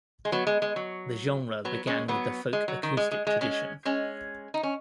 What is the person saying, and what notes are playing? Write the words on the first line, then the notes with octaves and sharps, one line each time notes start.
The genre began with the folk-acoustic tradition.
G#3
F#3 B3
G#3
G#3
F#3
F#3 B3
G#3 C#4
F#3 B3
G#3
F#3
D#3
G#3
G#3
G#3
G#3 C#4
G#3 C#4
D#4
C#4